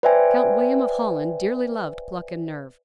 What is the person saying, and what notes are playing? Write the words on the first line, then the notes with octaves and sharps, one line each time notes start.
Count William of Holland dearly loved pluck and nerve.
B4 C5 D5 E5 G5 G#5